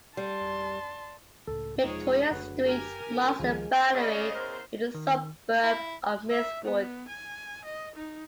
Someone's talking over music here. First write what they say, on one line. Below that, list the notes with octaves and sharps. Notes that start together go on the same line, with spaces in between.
Victoria Street marks the boundary with the suburb of Millswood.
G3 A5 C6
C#2 A2 A4
E1 F3 G#3 D#4 G#4 C#5
F#1 D2 B4 F#5
G4 A#4 G#5
A1
C#2 D#3 F3 G#3 C#4
C#3 D5 D#5
E2 C#3 A#4 C5
D#3
E4
E5
B3
G#5
D#5
D#4